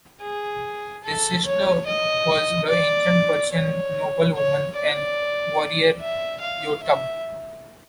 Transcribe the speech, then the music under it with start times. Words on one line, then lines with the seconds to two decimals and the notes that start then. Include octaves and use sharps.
His sister was the ancient Persian noblewoman and warrior Youtab.
0.21 G#4
1.04 A4
1.45 C#5
1.86 D#5
2.69 D5
3.52 C#5
4.35 C#5
4.76 D5
6.00 E5
6.41 F5
6.83 E5